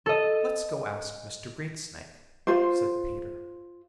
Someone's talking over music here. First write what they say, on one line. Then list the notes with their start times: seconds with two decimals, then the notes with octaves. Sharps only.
"Let's go ask Mr. Greensnake," said Peter.
0.06 A4 D#5
2.47 F4 C5